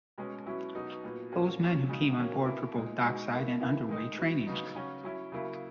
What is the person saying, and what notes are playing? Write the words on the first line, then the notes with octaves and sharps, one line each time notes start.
Those men came on board for both dockside and underway training.
B2 G#3 C#4
B2 F#3 C#4 E4
B2 F#3 B3 D#4 F#4
A#2 F#3 B3
A#2 A#3 C#4 F#4
A#2 F#3 C#4
C#3 G#3 D#4 F#4
D#3 F#3 A#3 C#4 F#4
B2 A#3 E4
A#2 G#3 D#4
B2 G#3 D#4 F#4
B2 A#3 E4
E3 A#3 E4
D#3 G#3 D#4
F#3 B3 E4
C#3 F#3 B3 D#4 F#4
C#3 F#3 C#4 F#4
F#3 C#4 E4
C#3 F#3 A#3 E4